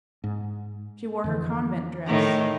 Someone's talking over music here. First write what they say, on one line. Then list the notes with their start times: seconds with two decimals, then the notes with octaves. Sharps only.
She wore her convent dress.
0.24 G#2
1.24 F2 D3 E3
2.07 A2 D#3